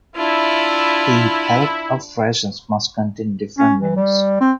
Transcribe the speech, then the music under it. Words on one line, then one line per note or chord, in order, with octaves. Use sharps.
A pallet of rations must contain different menus.
D4 E4 F4
C#4
E3
G3
C4